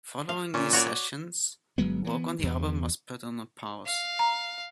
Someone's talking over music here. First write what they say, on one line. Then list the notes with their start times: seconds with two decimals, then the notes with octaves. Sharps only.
Following these sessions, work on the album was put on a pause.
0.29 F5
0.54 A#2 C#4
0.73 F#4 C#5 D5
1.78 G1 F#3 G#3 B3
2.04 E3 G3 B3
2.39 E2 G2
3.86 F5
4.19 A#5